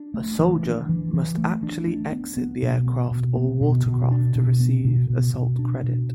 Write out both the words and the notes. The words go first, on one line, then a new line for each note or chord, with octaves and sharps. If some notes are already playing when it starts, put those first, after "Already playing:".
A soldier must actually exit the aircraft or watercraft to receive assault credit.
Already playing: D4
A3
E3
D4
E3
E3
A3
D4
D4
B3
B3
B2
B3
B2
B3
B2
B2
D4
B2
B3
B2
B2
B2
D4
B2